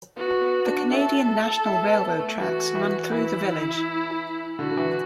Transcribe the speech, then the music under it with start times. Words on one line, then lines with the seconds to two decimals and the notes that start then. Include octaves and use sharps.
The Canadian National railroad tracks run through the village.
0.17 B3 F#4
0.42 B3
0.66 D4
0.90 E4 A4
1.65 E4
1.83 B3
2.02 B3
2.19 A3
2.38 E3 F#4
2.75 E3
3.12 E3 E4
4.59 D3 F#4
4.71 D3
4.77 E3